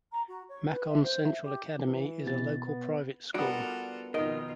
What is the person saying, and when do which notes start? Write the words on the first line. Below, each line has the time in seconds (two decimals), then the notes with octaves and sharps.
Macon Central Academy is a local private school.
0.12 A#5
0.28 F#4
0.49 C#5
0.71 B4
0.89 E5
1.03 C5
1.23 E5
1.44 G4
1.86 E3
2.27 B2 A6
2.66 B3
3.34 G3 B3 D4 F4 F#4 A4 A#4 D5
4.14 F2 B2 D#3 D#4 F4 A#4 D#5